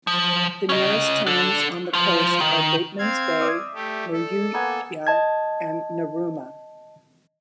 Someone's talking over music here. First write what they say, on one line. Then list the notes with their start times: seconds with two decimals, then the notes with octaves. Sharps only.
The nearest towns on the coast are Batemans Bay, Moruya and Narooma.
0.07 F3
0.69 C#4 D#5
1.26 D4 A4
1.93 F3 F4
2.40 D#3
2.98 C4 F5 G#6
3.41 D5 E5 D#6
3.75 A3 G4
4.13 A4
4.54 A#3 B3 G#5
5.07 D#5 A5 G#6